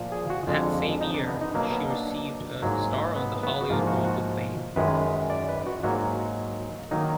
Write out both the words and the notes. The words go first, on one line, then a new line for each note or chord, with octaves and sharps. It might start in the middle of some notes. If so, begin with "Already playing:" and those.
That same year, she received a star on the Hollywood Walk of Fame.
Already playing: A#2 F3 A#3
G#4
F#4
F2 D3 G#3 F4
D#4
D4
B3
D#4
B2 F#3 A#3
B3
D4
G#2 F#3 A#3
B3
B3
F#4
G#2 F3 A#3 F4
F#4
F#4
F#2 D#3 G#3 B4
D5
B4
F#4
G#2 F#3 A#3 F#4
D#3 F#3 A#3 D#4